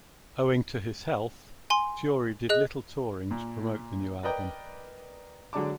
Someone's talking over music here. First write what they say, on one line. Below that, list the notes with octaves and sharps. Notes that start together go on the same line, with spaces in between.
Owing to his health, Fury did little touring to promote the new album.
G#5 C6
G#4 D#5 F#6
A#2
A#4 B4 D5 D#5 G5 A#5
D3 F#3 G#3 D4 A5 D6